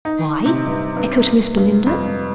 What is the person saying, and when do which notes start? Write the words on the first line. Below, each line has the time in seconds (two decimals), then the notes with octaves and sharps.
"Why?" echoed Miss Belinda.
0.05 D#4
0.46 C3
0.67 G2
0.97 G2
1.57 G2
1.86 F2